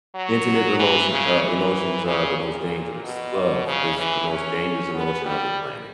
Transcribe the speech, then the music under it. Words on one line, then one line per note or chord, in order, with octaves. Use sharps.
intimate remotion, uh, emotions are the most dangerous. Love is the most dangerous emotion on the planet.
F#3
E3
C#3
E3
C#3
A#2
B2
C#3
E3
C#4
B3
G3